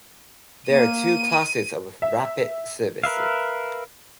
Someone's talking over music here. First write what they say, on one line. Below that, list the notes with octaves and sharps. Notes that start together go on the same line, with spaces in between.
There are two classes of "Rapi:t" service.
A#3 D#7
E5
A#4 B4 E5 F5